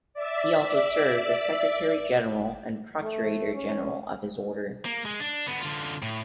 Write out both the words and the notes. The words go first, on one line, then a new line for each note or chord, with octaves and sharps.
He also served as secretary general and procurator general of his order.
D5 E5
A3
C#4
A#3
G#3
D4
D3 B3
D3 F4
A2